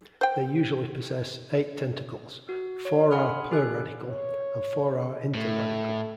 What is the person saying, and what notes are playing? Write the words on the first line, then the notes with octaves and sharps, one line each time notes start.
They usually possess eight tentacles; four are per-radical and four are inter-radical.
C5 G5
F#4
C#5
F#5 G#5 B5 C6 D#6 F6
G4 A4 G#5 F#6
C#5
A2 A3